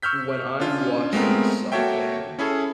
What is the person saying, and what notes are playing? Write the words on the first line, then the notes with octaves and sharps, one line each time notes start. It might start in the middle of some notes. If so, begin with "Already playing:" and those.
when I'm watching something,
C#6 E6 F6 G6 B6
C#4 D4 F4
G#3 A3 B3 C4 A#4
A#3 F#4 A4 C#5 E5 G5
C#4 E4 G#4 A4 C#5